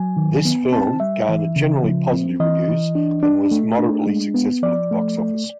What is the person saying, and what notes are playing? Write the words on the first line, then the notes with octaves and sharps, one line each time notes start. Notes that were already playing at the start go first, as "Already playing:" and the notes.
This film garnered generally positive reviews and was moderately successful at the box office.
Already playing: F#3 G#5
D#3
B3
C4 A5
G3 E5
E3
C#3
F3
C4
E3 D#5
E3
D4
D4
A3
D4
G#3
B3
F3 D5
A3
A3